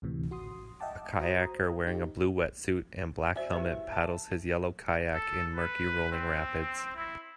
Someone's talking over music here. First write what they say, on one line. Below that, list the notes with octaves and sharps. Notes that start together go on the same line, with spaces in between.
A kayaker wearing a blue wetsuit and black helmet paddles his yellow kayak in murky rolling rapids.
D2 A2 C3 E3
A1 F#4 C6 D#6
D#5 E5 F#5 G5 A5 D6
F#4 C5 A#5 D#6
D#4 G4
F#4 C5 D5 E5 G#5
E4 G4 B4
A5
A4
B4
C4
E4